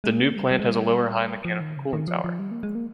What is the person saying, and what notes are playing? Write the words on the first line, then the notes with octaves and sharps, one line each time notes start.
The new plant has a lower high mechanical cooling tower.
G#3
A#3
G3
G3
G#3
G3
F3
D#3
C#3
D#3
F3
F3
G3
A#3
G#3
A#3